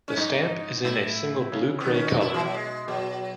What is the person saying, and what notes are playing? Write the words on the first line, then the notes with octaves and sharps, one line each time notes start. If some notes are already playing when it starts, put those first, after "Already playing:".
The stamp is in a single blue-gray color.
C#4
G#2 D#4
A2 E4
C#3
B3
D#3
C#4
D#4
B2 E4
E3
F#3
G#3
B2 F#3